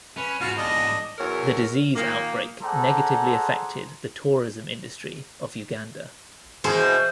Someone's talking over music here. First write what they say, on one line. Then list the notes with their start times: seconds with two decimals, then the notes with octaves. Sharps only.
The disease outbreak negatively affected the tourism industry of Uganda.
0.17 C#4 B4
0.41 E2 G#2 F4 F#4 F6
0.57 D4 D#5
1.19 E2 F#3 A#4 C#5
1.96 A#2 D#3 A#3
2.62 G#4 A4 C5 D5 F#5 A#5
6.64 B2 E3 G#4 C5